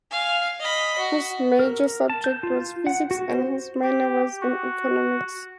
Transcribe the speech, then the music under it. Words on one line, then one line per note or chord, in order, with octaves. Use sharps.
His major subject was physics and his minor was in economics.
F5 G#5
D#5 B5
F#4
A#4
A5
G6
F4
F#5
F#4
C5
G4
F#4